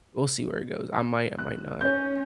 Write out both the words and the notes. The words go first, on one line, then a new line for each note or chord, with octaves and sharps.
we'll see where it goes. I might, I might not
F#6
C#4 C#5 G6